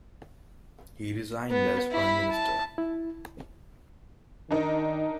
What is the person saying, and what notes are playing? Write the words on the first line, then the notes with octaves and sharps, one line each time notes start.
He resigned as prime minister.
B3
E4 B5
A5
E4
D#3 D4 D#4 A#4